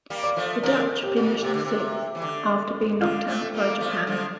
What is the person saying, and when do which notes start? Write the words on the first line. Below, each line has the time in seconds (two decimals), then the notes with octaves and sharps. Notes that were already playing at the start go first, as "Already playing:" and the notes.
The Dutch finished sixth after being knocked out by Japan.
0.10 G3 A#3
0.23 D5
0.36 F3 A3
0.63 D3 F3 A#4
1.03 G4
1.17 A#2
1.42 C3 G4
1.54 D3
1.65 C3
2.15 E3
2.22 D3
3.01 D3 F4
3.28 A3 C4
3.54 G3 A#3
3.81 F3 A3
4.07 D3 F3